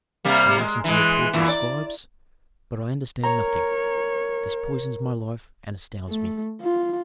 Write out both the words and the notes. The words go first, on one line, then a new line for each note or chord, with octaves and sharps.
I listen to reports of scribes, but I understand nothing; this poisons my life and astounds me.
C3 G3 A#3
G#3
E3 G#3
E2 A#2 E3
D5
A#4 C#5 A#5
A3
F4